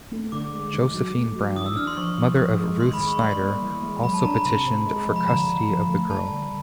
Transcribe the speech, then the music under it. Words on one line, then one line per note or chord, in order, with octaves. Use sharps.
Josephine Brown, mother of Ruth Snyder, also petitioned for custody of the girl.
A3
D3 D6
G#3
D#3
F#3
A3
F#3
E3 D#6
E6
D4 F6
C6
F3 C#6
F3
F3
G#3
D#3 C6
B5
G#3
C#6
G3 C6
A#3
E3
G#3
F#3 B5
A5
D4 A#5
B5
C3 C6
C3
G#3
F3
B5
D3 A#5
D3
F3
A3
G3 A5
D3